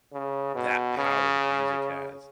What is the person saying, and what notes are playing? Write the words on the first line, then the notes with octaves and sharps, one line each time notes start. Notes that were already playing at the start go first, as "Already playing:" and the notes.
that power that music has.
C#3
B2
C#3